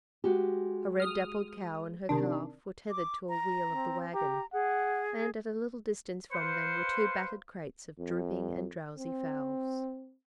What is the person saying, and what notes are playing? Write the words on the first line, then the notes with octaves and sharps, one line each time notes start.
A red-dappled cow and her calf were tethered to a wheel of the wagon, and at a little distance from them were two battered crates of drooping and drowsy fowls.
G#3 F#4 G4
D#6 F6
C3 D#3 D4
D6
A#5
C4
G4 A#5
G#4 F#5
F4 B4 C5 C#7
F2
C4